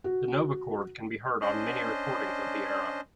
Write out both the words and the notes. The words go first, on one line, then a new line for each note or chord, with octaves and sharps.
The Novachord can be heard on many recordings of the era.
F#4
C#4 D4 C5 D#5